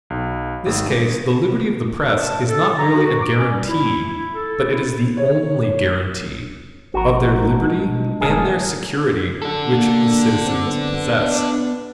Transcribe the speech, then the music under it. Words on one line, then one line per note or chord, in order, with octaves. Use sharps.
In this case the liberty of the press is not merely a guarantee, but it is the only guarantee, of their liberty and their security which the citizens possess.
B1
G#1
G2
A5
A4
A4
A#5
F#4
D6
C#4
G3
E4
E4
A4
E4
C#5
G#1 F3 F#4 A#4
G#3 D4
B2
E1 G#2 D#3 A3 B3 G#4 A#4 A5
D4 A4
A#3
C4
B3